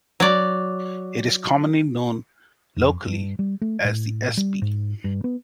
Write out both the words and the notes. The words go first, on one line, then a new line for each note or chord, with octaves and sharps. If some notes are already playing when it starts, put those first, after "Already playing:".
It is commonly known locally as "The Espy".
F#3 D5
F2
G2
G3
A3
A2
G3
G#2
G2
B3